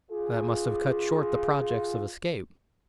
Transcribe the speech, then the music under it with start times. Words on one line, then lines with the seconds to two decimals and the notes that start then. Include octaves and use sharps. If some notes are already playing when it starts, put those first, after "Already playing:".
"That must have cut short the projects of escape."
0.10 F4 G#4